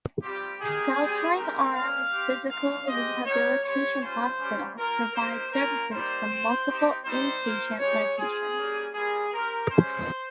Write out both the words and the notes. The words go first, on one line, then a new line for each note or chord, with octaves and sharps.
Sheltering Arms Physical Rehabilitation Hospital provides services from multiple in-patient locations.
G3 C4 F4 G4
A#3 D#4 G4 G#4
G3 C4 G4
G#3 C4 D#4 G4 A#4
G3 A#3 C#4 F5
C4 G4
G#3 C4 D#4 F5
G#3 C4 G4 D#5
A#3 D#4 G4 C#5
C4 G4 C#5
G3 C#4 F4 C5
G3 C#4 G4
A#3 F4 A#4
A#3 D#4 G4 C5
A#3 C#4 F4 A#4
G3 A#3 D#4 C5
C4 F4
C4 D#4 G4
G3 C4 D#4 G4 C5
A#3 F4
G#3 D#4 G4 C#5
C4 F4 G#4
G3 A#3 C#4 G4
G3 A#3 F4 G#4
C4 G4 A#4
G#3 C#4 G4 C5